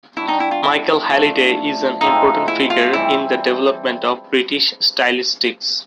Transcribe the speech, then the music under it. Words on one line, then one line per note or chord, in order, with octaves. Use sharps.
Michael Halliday is an important figure in the development of British stylistics.
G3 B3 D4 E4 F#4
D#4
E4
F4
E4
F3 A3 D4
A2 F3 G#3 C4 D#4
E4
F4
E3 G3 C4 E4